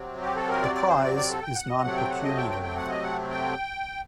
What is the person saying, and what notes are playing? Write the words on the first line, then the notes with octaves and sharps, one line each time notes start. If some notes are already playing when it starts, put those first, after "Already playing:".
The prize is non-pecuniary.
Already playing: C3 F#3 C4
G4
A4
A#4
D5
D5
C5
D5
D5
A4
G5
F#5
D#5
C3 F#3 A3 C4 F#5
G5
F#5
D#5
G5
G5
G5
F#5
D#5
F#5
G5